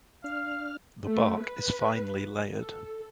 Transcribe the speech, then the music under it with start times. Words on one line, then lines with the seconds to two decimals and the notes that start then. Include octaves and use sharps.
The bark is finely layered.
0.24 D4 F5 F6
1.06 A3
1.43 B4
2.59 A4